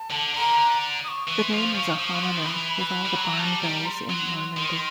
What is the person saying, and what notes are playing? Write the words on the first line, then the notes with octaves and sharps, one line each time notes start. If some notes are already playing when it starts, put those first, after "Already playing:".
The name is a homonym with all the Barnevilles in Normandy.
Already playing: A5
D3
D3 A#5
D#6
C#6
E3
C6
F3
F3 C#6
F3 C#6
F#3
F3 C6
D#3
E3 B5
B5
G3
F#3 A#5
G3 A5
G3 A#5
C6
F#3
D#3